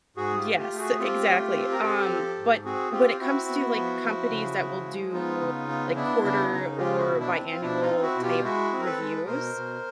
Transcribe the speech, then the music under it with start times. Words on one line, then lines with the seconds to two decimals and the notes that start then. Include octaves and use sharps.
Yes, exactly. Um, but when it comes to, like, companies that will do, like, quarter or biannual-type reviews,
0.16 G#2 F#4 G#4
0.37 F4 G4
0.44 A3
0.58 F4 G4
0.71 A3
0.78 F#4 G#4
0.99 C4 F4 G4
1.26 A3
1.54 C4
1.72 A#4
1.82 C4 G4 A4
2.09 F3
2.37 G#2
2.65 C4 F#4 G#4
2.92 C4 F4 G4
3.20 C4 E4 F#4
3.48 B3
3.76 F3
4.02 F3
4.30 C#3
4.58 F3
4.85 G#3
5.12 B3 D#4 F4
5.40 C#3
5.69 B3
5.95 B3 D4 E4
6.23 C#3 D4 E4
6.51 C#3 D#4
6.78 G#3 F4 G4
6.98 E4 F#4
7.06 B2
7.19 D4 E4
7.33 C4
7.51 F4
7.61 B2 D4 E4
7.82 D#4 F4
7.89 C4
8.02 E4 F#4
8.16 B2
8.23 F4 G4
8.44 G#3 E4 F#4
8.72 C4
8.80 A#4
8.85 A4 B4
8.99 G#3
9.26 B2 A#4 C5
9.55 B2